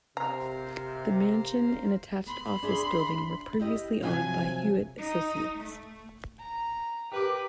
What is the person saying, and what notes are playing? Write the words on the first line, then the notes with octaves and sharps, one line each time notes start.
The mansion and attached office building were previously owned by Hewitt Associates.
C3 A#4 C5 F5 A#5
B3 B5 C6
D4 G#4 E5
E4 G4 D#5
C3 F3 F#3 G#5
D#4
A3
A#5
G4 A#4 B4 D6